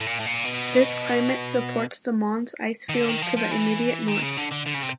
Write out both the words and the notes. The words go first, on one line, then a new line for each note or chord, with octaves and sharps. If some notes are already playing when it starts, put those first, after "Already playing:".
This climate supports the Mons Icefield to the immediate north.
A2
A#2
A2
A#2
B2
D#3
D3
D#3
F3
F3
E3
D#3
C#3
D3
D3
D3
C#3
C3